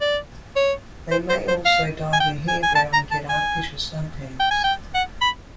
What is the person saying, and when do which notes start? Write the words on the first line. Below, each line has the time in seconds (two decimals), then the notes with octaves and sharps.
They may also dye their hair brown and get artificial suntans.
0.01 D5
0.56 C#5
1.11 C5
1.29 C5
1.48 C5
1.65 F5
2.13 G#5
2.20 G5
2.48 G#5
2.63 G#5
2.75 A5
2.93 A#5
3.11 A5
3.29 G#5
4.40 G5
4.51 G#5
4.64 G5
4.94 F#5
5.21 B5